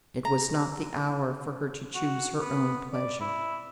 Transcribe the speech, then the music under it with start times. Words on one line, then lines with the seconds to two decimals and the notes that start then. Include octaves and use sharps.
It was not the hour for her to choose her own pleasure.
0.25 A#5
1.95 F#4
2.41 B3
2.93 D5
3.21 E4